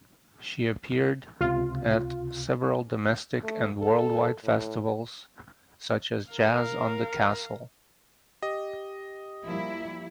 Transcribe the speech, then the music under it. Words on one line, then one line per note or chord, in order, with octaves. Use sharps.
She appeared at several domestic and worldwide festivals such as "Jazz on the Castle".
C#2 C3 F4
A3
A4
A2
A#4 F5
G4 D#5
F3 G3 A#3 E4